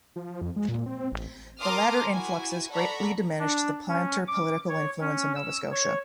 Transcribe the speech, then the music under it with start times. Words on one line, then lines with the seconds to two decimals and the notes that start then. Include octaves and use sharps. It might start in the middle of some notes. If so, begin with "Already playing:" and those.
The latter influxes greatly diminished the Planter political influence in Nova Scotia.
0.16 F3
0.41 F2
0.56 G#3
0.69 A#2
0.86 C4
1.12 A1
1.59 A#4 A5 C6 D6 D#6 F6
2.11 E4 F#4 G#5
2.72 A4 D5 F#5 A#5 B5 C#6
3.39 D4
3.88 C#4
4.28 D6
4.69 C#5
5.01 C#4
5.35 E6
5.72 C#5